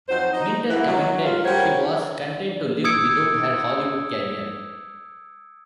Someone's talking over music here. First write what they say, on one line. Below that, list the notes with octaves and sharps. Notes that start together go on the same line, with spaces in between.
Minter commented she was content to live without her Hollywood career.
F2 F#3 D#4 C5
D#4
E3 F#3 B3 E4
F#3
F4
F#3 G3 F#4 A#4 C5 C#5
D#6 E6 G#6 C#7 D7